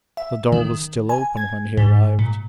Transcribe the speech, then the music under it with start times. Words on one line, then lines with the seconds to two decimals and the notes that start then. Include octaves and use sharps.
The door was still open when he arrived.
0.17 E5
0.52 D#3
1.09 G#5
1.37 G#6
1.77 G#2
2.19 A#2